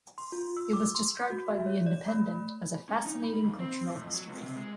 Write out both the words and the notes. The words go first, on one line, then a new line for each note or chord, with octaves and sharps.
It was described by "The Independent" as 'a fascinating cultural history'.
C6
F4
E6
D6
C6
G6
F#4
E5
C#5
D5
A3
B5
C#4
D#4
B5
D#2
C4
A2
F2
F#3
C#2
C3
G#3